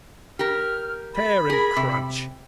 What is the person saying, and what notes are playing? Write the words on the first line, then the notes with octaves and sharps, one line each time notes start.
Tear and crunch!
G4 A#4 F6
B5
G#4 A#4
C3